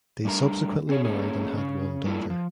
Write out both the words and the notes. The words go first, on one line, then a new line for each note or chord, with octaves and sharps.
They subsequently married and had one daughter.
G3 A3 D4 A#4 A#5
C4 C#4 G#4 C#5
A3 A#3 C#4 G#4
C#3 C#4
G3 G#3 A#3 E4 F4
F3